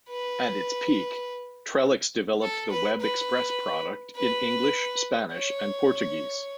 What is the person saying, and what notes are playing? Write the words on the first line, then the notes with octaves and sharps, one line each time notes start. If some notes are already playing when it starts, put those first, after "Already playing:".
At its peak, Trellix developed the Web Express product in English, Spanish, and Portuguese.
B4
A4
B4
B4
B4
C#5